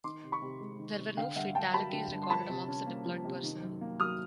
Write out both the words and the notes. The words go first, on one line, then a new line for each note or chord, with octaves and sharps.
There were no fatalities recorded amongst the deployed personnel.
D#3 C6 D6
C3
B5 C#6
C3
G#3
D#3
C3
D3 F5 G5
G2 E5 F#5
G2 G5 A5
F#3 A5 B5
D3
G2
C6
F3 A5 B5
C3
C#4
A#3
F3
C3
D#3
F#2
A#3
F#3 D#6 F6